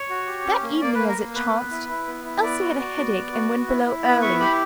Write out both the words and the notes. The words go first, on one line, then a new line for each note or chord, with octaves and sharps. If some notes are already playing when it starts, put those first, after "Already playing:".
That evening, as it chanced, Elsie had a headache and went below early.
Already playing: C#5
F#4
G4
C#4
A#3
A#3 D5
A#3 B4
A#4
A#3
B3 B4
B3
E4
E4
B3
E4
B3 D5
F#4
F#4
B3
B3
F#4
B3
E4
E4
B3 B5
E4 C#6
G4 B5